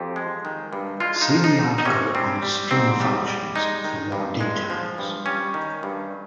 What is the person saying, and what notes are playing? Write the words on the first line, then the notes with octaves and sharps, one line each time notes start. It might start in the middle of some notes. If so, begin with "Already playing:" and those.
See the article on string functions for more details.
Already playing: F2 G4
G#3
D#3
G2
G#3 F4
D#4
F3
D#4
A#2
D#4
C3 C#4
G3 C4
G3
G#2 C4
G3
G3
G#3 D#4
D#3
G2
G#3
F3
G2
G3 C#4
D#3
G2